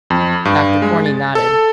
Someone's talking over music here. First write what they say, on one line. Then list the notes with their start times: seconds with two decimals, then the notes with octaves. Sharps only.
Dr Corney nodded.
0.10 F2
0.45 G2
0.82 G#3
1.06 A6
1.35 A4